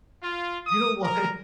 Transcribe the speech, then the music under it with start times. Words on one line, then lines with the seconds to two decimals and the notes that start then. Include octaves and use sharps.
You know what?
0.22 F4
0.66 D#6
1.02 A#4